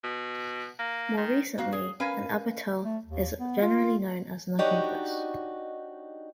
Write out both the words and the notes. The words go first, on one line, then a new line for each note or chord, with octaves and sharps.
More recently, an abettor is generally known as an accomplice.
B2
A#3
D#3
A#3 F#4 F5
G#4
C#4 A#4 B4 F5 G#5
A3
D#2
B3
F4
D4 D#4 F#4 G4 C#5 D#5